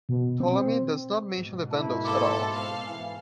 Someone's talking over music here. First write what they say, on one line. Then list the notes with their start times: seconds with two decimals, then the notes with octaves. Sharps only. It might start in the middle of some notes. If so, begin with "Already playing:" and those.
Ptolemy does not mention the Vandals at all.
0.09 B2
0.40 C4
1.37 G#2 B2
1.71 A#3 E4 A5
2.05 A4 F5 C6 D6
2.56 C4 F5
2.86 E3 G#5